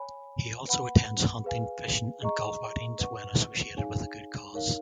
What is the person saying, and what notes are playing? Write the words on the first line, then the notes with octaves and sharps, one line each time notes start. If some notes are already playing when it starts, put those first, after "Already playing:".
He also attends hunting, fishing and golf outings when associated with a good cause.
Already playing: C#5 G#5 B5
B4 F#5 B5
G#4 B4 F5 G#5
G#4 D#5 A#5 C#6
B4 F#5 C#6
D#4 G#4 C#5 F5 G#5
D#4 A#4 C#5 F5